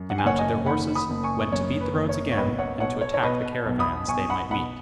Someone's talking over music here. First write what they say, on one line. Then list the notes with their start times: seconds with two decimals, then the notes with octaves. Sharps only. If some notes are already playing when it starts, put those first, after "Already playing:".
They mounted their horses, went to beat the roads again, and to attack the caravans they might meet.
Already playing: F#2
0.10 F#5
0.18 G#5
0.24 F#1 C#5 F#5
0.38 D#5 G#5
0.66 D#3 F#5 B5
0.95 B5 D#6
1.10 F#1
1.23 G#5 C#6
1.52 F#2 C#5
1.81 B4
1.95 F#1
2.09 C#5
2.32 C#5
2.37 B1 B4 D#5
2.59 C#5 F#5
2.80 B2 C#5 F#5
3.01 C#5
3.14 C#5
3.23 B2 B4 D#5
3.65 B1
3.80 B5 D#6
4.08 B1 G#5 C#6
4.30 F#5 B5
4.51 B2 F#5 B5